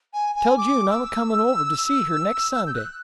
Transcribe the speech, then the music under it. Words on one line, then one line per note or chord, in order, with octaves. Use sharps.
"Tell June I'm a-comin' over to see her next Sunday."
G#5
G#5
D6
E6
G6
F#6